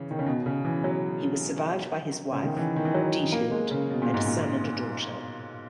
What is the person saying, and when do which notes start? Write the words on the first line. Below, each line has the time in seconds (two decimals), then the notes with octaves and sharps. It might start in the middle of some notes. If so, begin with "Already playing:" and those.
He was survived by his wife, Diethild, and a son and a daughter.
Already playing: C#3 E3
0.11 D#3
0.19 C#3
0.26 B2
0.46 C#3
0.65 E3
0.84 F#3
2.32 C#3
2.44 D#3
2.57 E3
2.76 D#3
2.85 E3
2.94 F#3
3.32 A#3
3.51 G#3
3.71 C#3
3.90 B2
4.02 A#2
4.14 G#2
4.26 A#2